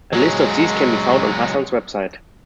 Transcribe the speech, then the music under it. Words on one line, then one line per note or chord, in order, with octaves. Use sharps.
A list of these can be found on Hassan's website.
F#3 G#3